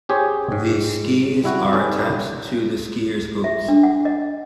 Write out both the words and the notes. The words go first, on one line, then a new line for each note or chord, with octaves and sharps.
These skis are attached to the skiers' boots.
C#4 G4 G#4 C5 C#5
G#2
G3 E4 F#4
C#4 D#4 G4 A4 B4 D5
E5
D4
F#5
D#5